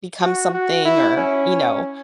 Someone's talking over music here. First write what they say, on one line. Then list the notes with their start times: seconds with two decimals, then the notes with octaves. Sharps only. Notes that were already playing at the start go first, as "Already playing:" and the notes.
become something or, you know.
0.22 F#4
0.54 F#4
0.85 E4
1.17 C#4